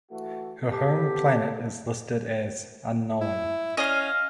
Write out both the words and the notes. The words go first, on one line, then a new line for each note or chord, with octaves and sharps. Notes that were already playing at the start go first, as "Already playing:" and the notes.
Her home planet is listed as "unknown".
E3 A3 F#4
C3 B3 G4 A4
E4
C#4 D#5 F5